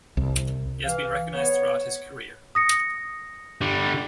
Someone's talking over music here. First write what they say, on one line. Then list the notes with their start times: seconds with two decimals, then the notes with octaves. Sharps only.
He has been recognized throughout his career.
0.17 C2
0.84 E3 F5
1.34 B3 C#5
2.55 D#6 A#6 C#7
3.62 D3 G3